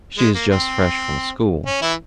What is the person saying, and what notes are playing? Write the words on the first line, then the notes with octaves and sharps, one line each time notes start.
"She is just fresh from school."
G#3
A#3
C4
C#4
E3 E4